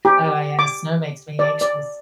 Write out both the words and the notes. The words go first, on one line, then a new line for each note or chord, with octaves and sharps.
Oh, yeah, that makes me anxious.
G4
D6
D5
D5